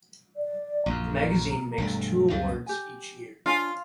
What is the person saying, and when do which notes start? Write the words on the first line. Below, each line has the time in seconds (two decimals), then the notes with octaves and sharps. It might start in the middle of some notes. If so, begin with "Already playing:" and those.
The magazine makes two awards each year.
0.36 D5
0.86 A#1 F#2 A#5
1.78 E1 G2 A3
2.30 C#2 F#2 G3 F5
2.66 G4 G#5
3.46 D4 F4 C#5 G#5